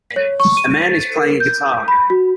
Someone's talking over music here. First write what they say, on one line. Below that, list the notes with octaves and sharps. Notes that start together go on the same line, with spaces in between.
A man is playing a guitar.
C#5
C#6
D#7
A6
A#4
G6
B5
F#4